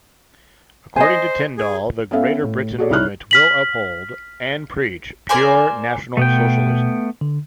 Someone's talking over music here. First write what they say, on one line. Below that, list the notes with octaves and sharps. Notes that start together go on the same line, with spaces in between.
According to Tyndall, "the Greater Britain Movement will uphold, and preach, pure National Socialism".
C5 D#5 G#5
G#4
B3 C#4 A4 E5 F5
A2
F#4 G#4 A4 C#5 D5
C2 D#4 E4 C#5 F6 F#6
F6 B6 F#7
A#4 C5 D5 G#5
B2 A3 B3 G5
D3